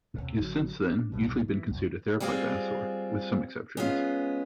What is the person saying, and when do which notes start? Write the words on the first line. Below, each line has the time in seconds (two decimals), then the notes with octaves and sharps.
It has since then usually been considered a theropod dinosaur, with some exceptions.
0.18 D#2 C3
0.41 A1 D3 F#3
0.91 D4
1.12 B1 E2 G2 B2
1.48 E3
1.70 C2 F#2
2.20 G3 G#3 C4 F4 G#4
3.77 G#3 B3 C#4 F4